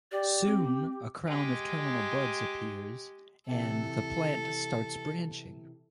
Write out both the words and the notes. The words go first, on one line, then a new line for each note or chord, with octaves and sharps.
Soon a crown of terminal buds appears and the plant starts branching.
G4 D5
C4
G#3 G4
C3 E3 A4